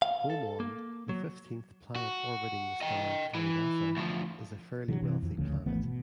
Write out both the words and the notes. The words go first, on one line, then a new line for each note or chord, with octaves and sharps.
Beaumonde, the fifteenth planet orbiting the star Kalidasa, is a fairly wealthy planet.
F5
A4
A#3
F#3
F#4
D#5 G5
E3
D2 F3
C3 E3 F#3
C3 E3
F2 E3
D2 C#3 F3 A3
G#1 E3 A3 B3
B2